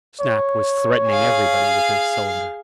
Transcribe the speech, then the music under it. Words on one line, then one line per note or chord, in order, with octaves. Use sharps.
Snap was threatening everybody with his cylinder.
C#5
G#4 F5